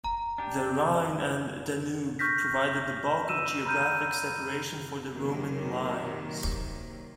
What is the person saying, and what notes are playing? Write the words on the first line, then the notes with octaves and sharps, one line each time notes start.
The Rhine and Danube provided the bulk of geographic separation for the Roman "limes".
A#5
D4 G4
C#6 F6 G6 A#6 B6
E6 D#7 E7
A#5 B5 F6 G6 D#7
C3 D#3 F#3 A#3